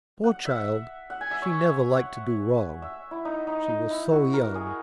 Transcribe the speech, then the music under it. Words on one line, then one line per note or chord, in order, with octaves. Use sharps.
Poor child! she never liked to do wrong,--she was so young!
F#5
E5
F#5
G#5
E5
C#5
F#5
E5
E4
D#4
D#4
D#4
E4
F#4
A#4
G#4